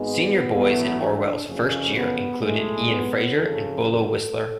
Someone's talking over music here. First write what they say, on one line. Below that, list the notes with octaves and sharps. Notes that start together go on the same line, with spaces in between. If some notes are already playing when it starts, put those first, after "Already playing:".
Senior boys in Orwell's first year included Ian Fraser and Bolo Whistler.
Already playing: G#1 G#2 G#3 B3
A1 A2 F#3 A3 B3
D4
F#1 F2 C#3 C#4
B3
B1 A2 G#3 A3
B3
F#1 F2 C#3 A4
A4